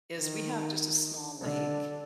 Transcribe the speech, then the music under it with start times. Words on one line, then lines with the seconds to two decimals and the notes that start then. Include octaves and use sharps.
is we have just a small lake,
0.17 D#3
1.41 D3